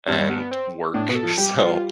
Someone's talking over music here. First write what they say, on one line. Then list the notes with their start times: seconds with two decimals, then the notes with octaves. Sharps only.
and work, so
0.07 G2 C4
0.19 G3
0.29 B3
0.40 B3
0.51 C4
0.94 A2 D4
1.08 B2 B4
1.15 A4
1.23 F3
1.37 G3 G4
1.58 F4
1.75 F4